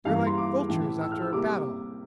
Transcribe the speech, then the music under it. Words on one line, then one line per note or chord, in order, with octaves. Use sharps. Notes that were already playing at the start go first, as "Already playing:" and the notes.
"They're like vultures after a battle."
G2 E3 A#3 F5
A#5
C6
D6
A2 E3 A3
E6
F6
E6
C3 G3 A#3 D6